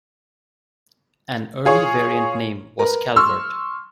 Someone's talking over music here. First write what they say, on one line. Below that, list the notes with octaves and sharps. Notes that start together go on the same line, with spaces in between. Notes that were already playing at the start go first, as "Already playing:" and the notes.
An early variant name was Calvert.
F4 G#4 C#5
A#4 B4
C6 C#6 E6 F6